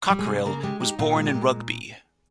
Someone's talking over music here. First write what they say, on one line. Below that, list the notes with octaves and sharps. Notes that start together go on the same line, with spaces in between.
Cockerill was born in Rugby.
G3
G#3 G#4
C3
C#3 A#3 A#4
G#3 G4
D#4 G4
A#2 F4
G#3
G4
A#2